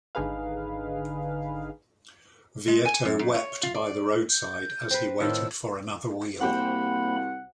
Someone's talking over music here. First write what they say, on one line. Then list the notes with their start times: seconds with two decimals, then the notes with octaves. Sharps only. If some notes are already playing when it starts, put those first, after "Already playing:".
Vietto wept by the roadside as he waited for another wheel.
0.15 G#1 D3 D#4 G#4 B4 F5
2.68 G#3
2.85 G#5
3.05 F#2
3.19 F#2
3.35 C#5
3.63 F4
3.74 D5
4.30 G6
4.91 C4 B4
5.20 A2 D#3 F4 E6
6.41 C2 A#3 F#4 G4 C5 F#5 B5